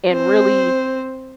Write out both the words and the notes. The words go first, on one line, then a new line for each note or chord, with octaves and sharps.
and really,
C4 C5